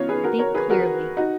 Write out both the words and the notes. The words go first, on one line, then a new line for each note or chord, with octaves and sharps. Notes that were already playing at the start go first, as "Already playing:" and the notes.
Think clearly.
Already playing: B3 C#4 D#4 F4 C#5
G#4 B4
F#4 A#4
A#4 C#5
G#4 B4
F#4 A#4
D#4 F#4